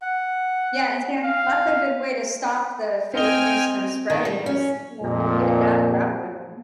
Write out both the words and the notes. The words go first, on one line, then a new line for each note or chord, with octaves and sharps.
Yeah, and spam it that's a good way to stop the fake news from spreading is, you know, when you get it out of your algorithm.
F#5
F5
C4 D#5 G5 G#5 F6 G7
D#3
G3
C#4
F2 A#2